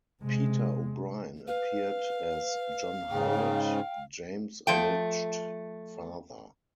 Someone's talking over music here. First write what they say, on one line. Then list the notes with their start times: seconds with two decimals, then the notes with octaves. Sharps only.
Peter O'Brien appeared as John Howlett, James' alleged father.
0.22 C3 G#3
1.47 B4 F5
3.11 G#2 C#3 G5
4.67 F3 A3 G5